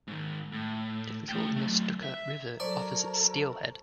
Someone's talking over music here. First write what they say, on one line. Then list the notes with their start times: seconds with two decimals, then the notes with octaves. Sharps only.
The Little Nestucca River offers steelhead.
0.08 G#2 D#3
0.52 A2
1.29 A3 G5
1.56 F#3 A3
2.03 E5
2.60 F#3 A4 A#4 C5 D5 A5 C#6